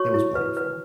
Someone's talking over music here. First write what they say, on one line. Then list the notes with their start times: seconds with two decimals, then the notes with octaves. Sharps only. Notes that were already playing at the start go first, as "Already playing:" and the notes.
it was wonderful.
Already playing: F#4 C#5 C#6
0.14 E4
0.35 B4
0.57 B4